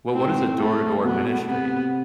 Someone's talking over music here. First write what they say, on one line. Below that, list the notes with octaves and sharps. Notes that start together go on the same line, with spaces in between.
well, what is a door-to-door ministry?
A2 C4
G#2
A2
A3
B2 B3
C3 B3